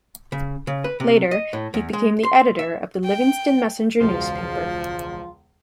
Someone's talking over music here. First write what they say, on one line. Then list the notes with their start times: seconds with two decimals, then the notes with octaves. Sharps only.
Later, he became the editor of the "Livingston Messenger" newspaper.
0.32 C#3
0.67 C#3
0.84 B4
1.00 C3
1.31 D#5
1.53 A2
1.74 E2
1.93 G#3
2.23 C6
2.59 E5
3.04 G5
4.00 E1 C#2 F3 F4